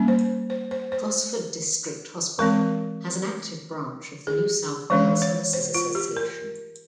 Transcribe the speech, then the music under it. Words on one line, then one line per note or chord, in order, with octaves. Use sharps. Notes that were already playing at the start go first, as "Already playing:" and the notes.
Gosford District Hospital has an active branch of the New South Wales Nurses Association.
Already playing: G3 A#3 C#4
C5
C5
C5
C5
E3 G#3 C4 A#4
G#4
E3 G#3 C#4 C5
C#5
C5
F4
G4
A#4